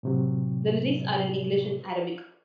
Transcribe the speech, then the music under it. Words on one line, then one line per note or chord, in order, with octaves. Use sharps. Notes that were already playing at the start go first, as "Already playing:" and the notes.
The lyrics are in English and Arabic.
A2 C3 F#3